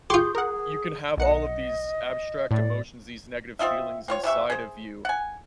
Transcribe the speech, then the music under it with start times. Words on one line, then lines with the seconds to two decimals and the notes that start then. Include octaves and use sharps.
you can have all of these abstract emotions, these negative feelings inside of you,
0.10 F4 G4 G#4 C6 C#6 G6
0.35 G#4 A#4 F#5
1.18 B1 D#5 F#5 C#7
2.51 A2 D5
3.59 C4 F4 D#5 E5
4.08 C4 F4 C#5
4.24 C3 E3 E5 C#6
4.50 G#4 C5
5.05 F#5 G#5